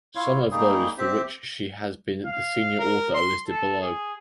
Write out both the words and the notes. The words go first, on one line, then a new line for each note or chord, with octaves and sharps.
Some of those for which she has been the senior author are listed below.
E4 F4 C#5 F5
G3 A#3 D#4 G#4
C4 G4 C5 E5
F5
A#4
C6
A4
G#4